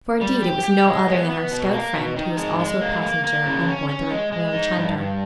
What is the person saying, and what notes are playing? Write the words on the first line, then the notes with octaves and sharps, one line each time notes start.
For indeed it was no other than our stout friend who was also a passenger on board the Ramchunder.
G3
G4
G4
G#3
B3
B3
B2
A#3
B2
D#3
G#3
G#3
A#3
A#3
A#3
C#3
C#4
C#4
G#3
G#3
D#4
G2
G2